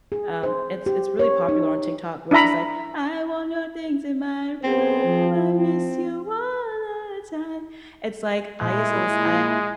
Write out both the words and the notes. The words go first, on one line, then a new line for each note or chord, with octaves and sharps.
um, it's it's really popular on TikTok where she's like, "I want your things in my room, I miss you all the time," it's like, I used to lis I
G#4
C5
G4
C#5
D#4
D4 E4 E5 A#5 B5
F#2 B3 C4 C5
F3
C4
A#2 G#3 E4